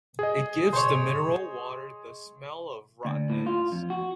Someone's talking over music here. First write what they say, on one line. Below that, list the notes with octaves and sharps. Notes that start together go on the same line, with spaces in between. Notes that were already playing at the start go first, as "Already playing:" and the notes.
It gives the mineral water the smell of rotten eggs.
G#4 D#5
C5 C#5
D2
A2
F4
F2
F#4